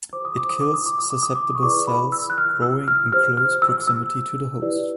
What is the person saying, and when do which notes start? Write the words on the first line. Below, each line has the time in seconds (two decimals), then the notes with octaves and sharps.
It kills susceptible cells growing in close proximity to the host.
0.13 G4 C5 D6
0.25 D#6
0.37 D6
0.50 D#6
0.61 D6
0.74 D#6
0.86 D6
0.99 D#6
1.10 D6
1.23 D#6
1.35 D6
1.55 C#6
1.63 E4 G#4 B4 D5 D6
1.87 B5
2.12 E6
2.30 F#6
2.38 F6
2.62 E6
2.88 F6
3.12 G4 C5 F6
3.37 F6
3.62 E6
3.87 E6
4.62 E4 G4 B4 D5